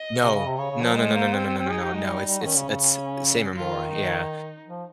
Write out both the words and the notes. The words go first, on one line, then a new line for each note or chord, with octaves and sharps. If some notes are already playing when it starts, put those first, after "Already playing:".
No. No. No. No. No. No. No. No. No. It's it's it's same or more. Yeah.
Already playing: D#5
C3
C#3
C3
C#3 C#5
C#3
F3
G#3 C5
A#3
C4
C4
C4
D#4 G#4
G4
G#3
G3
G3
D#3 C#4
C#3
C#3
C#4
D#3 F4
D#4
F3